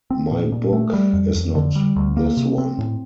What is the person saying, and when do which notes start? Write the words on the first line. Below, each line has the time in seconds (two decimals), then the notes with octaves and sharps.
My book is not this one.
0.11 C4
0.31 A#2
0.52 A#2
0.73 A3
0.93 G3
1.13 F2
1.35 F2
1.55 D3
1.75 G3
1.96 D2
2.17 A#3
2.37 C3
2.58 C4
2.78 A2